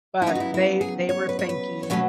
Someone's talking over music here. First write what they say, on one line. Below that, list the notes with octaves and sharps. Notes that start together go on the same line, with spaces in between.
But they they were thinking
E4
C#3 F#3 B3 D#4
F#4
E4
E4
G#4
C#5
B4
C#5
B4
C#5
B2 F#3 A3 C#4 B4